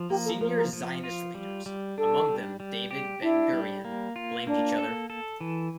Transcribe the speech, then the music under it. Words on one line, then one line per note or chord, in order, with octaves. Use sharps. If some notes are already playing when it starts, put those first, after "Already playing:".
Senior Zionist leaders, among them David Ben-Gurion, blamed each other.
Already playing: F3
A#3 G4
A4
F3 A#4
A#4
F3
F4
G3
G3
D4 A4
G3
G3
G4
D4 E4
G3
A#3
F4
A#3 D4
A4
A4
E3